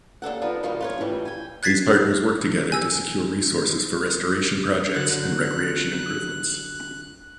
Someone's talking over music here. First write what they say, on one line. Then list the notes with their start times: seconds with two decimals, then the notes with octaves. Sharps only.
These partners work together to secure resources for restoration projects and recreation improvements.
0.22 D#2 D4 A4 F#5
0.42 F3 B3 D4 D#4
0.63 B2 D#3 F3 G3 A#3
0.80 F4 B4 C#5
1.01 A2 C#3 E3 F3 G3
1.25 G5 G#5
1.63 F#6 G#6 A6 B6 C7
2.72 G#5 E6
4.94 D3 F#3 F#6